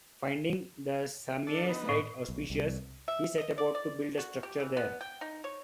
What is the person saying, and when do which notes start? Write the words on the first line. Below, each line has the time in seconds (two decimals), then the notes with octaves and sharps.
Finding the Samye site auspicious, he set about to build a structure there.
1.47 D4 A4
1.68 B3 D#4
1.89 A2
2.28 B1
2.50 C2
3.08 E5
3.38 D#5
3.58 D5
3.75 D5
4.18 F#4
4.43 G4
4.60 E3
4.77 B3
5.01 G5
5.21 D#4
5.44 C#5